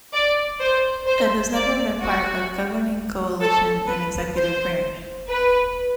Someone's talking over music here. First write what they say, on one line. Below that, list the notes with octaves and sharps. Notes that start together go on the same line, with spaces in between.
It has never been part of governing coalition in executive branch.
D5
C5
C5
D5
F#4
A4
B4
C5
B4